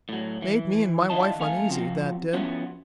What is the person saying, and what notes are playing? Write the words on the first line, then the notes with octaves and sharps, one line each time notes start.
Made me and my wife uneasy, that did.
A2 F#3
E3
D#3 D4 E4 F4 D#5 A5
F2 A3 F5 G#5
F3 C4 F4 F#4
F3 B3 C#4 E4 F#4